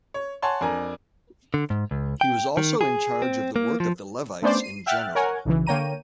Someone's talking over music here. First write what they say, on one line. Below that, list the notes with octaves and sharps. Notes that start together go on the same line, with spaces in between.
He was also in charge of the work of the Levites in general.
C#5
C#5 F#5 G#5 A5 C6
F2 D4 A#4 G#5 A#5
D3
G#2
C#2
G5
D#3
G#4
C4
A#3
F3
A3 B3 C#4 D4 C5 D5
C7 D#7
E5 F#5 G5 F6 F#6 A6
A#4 C#5 F#5 G#5
B1 C#3 E3
D3 A#3 C#5 G5 A#5 D#7